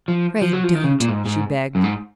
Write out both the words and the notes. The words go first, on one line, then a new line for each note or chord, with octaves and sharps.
"Pray don't!" she begged.
F3
F3
F#3
F3
D#3
C#3
A#2
G#2
G#2
F#2
G#2